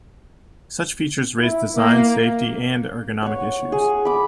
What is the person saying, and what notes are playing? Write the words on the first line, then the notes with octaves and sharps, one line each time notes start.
Such features raise design, safety, and ergonomic issues.
E4
A#3
C#5 F#5
G#4
B5 D6